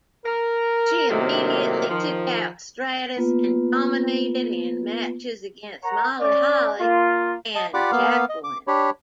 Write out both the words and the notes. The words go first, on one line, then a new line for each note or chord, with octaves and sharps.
She immediately took out Stratus and dominated in matches against Molly Holly and Jacqueline.
A#4
A2 C3 D#3 F#3 A#3
D#3 F3
A#3 B3 F4 B4
A#4 C#5 F#5 A#5
C#4 D5
A#3 F4
D#5 A5
F4 G4 D5 F#5 B5 D6
A#3 B3 F5
D#5
D6
D4 G4 C#5 B5